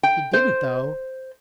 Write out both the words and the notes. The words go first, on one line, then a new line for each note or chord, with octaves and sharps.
"He didn't, though!"
G5
C5